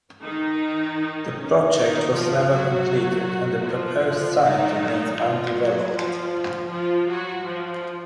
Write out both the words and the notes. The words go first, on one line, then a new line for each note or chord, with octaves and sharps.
The project was never completed and the proposed site remains undeveloped.
D#3 D#4
C#4
D#3 D#4
F3 F4
F#3 F#4
F3 F4
D#3 D#4
F3 F4
F#3 F#4
F3 F4
F3 F4
F#3 F#4
F3 F4